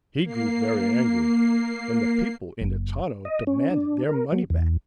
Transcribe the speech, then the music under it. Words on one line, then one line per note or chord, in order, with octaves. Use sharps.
He grew very angry, and the people in the tonneau demanded their money back.
A#3 C7
F#1
D#5
C#4
D4
A#4
F#3
E2